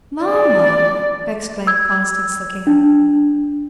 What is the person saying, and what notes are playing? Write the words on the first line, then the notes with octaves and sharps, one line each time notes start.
"Mamma!" exclaimed Constance looking up.
D5
E6 G#6
D4